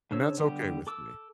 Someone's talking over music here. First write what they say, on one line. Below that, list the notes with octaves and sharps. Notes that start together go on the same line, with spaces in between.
and that's okay with me.
C#3 D4 C5 C#5 E6
D3 G3 B3 G4
A4 D6 E6